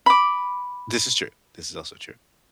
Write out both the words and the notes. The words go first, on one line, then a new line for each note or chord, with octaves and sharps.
This is true, this is also true.
B5 D6